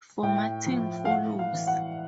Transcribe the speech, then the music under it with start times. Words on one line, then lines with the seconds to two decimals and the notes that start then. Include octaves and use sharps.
Formatting follows.
0.23 A2 G5
0.66 F3
1.05 F5
1.10 A2 F#5
1.39 F5
1.53 E3
1.67 F#5